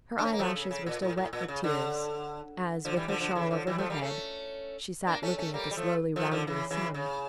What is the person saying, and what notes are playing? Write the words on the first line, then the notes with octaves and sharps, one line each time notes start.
Her eyelashes were still wet with tears, as, with her shawl over her head, she sat looking at the slowly rounding sun.
D4
C#4
A#3
F3 A3
C#3
C#3
A#2
A2
A2
A#2
C#3
D3
D3 F3
E3 G3
D3 F3
D3 F3
C#3 E3
D3 F3
E3 G3
F3 A3
G3 A#3
A3 C#4
A#3 D4
A3 C#4
A3 C#4
G3 A#3
G3
F3 A3
F3 A3
D3 F3
C#3 E3
C#3 E3
C#3